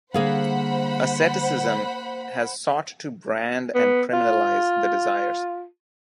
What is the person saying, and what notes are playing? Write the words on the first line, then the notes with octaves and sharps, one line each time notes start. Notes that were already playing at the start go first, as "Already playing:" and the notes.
Asceticism has sought to brand and criminalize the desires.
D3 G3 A#3 G#4 C5 F5 F#5 B5
B3
F4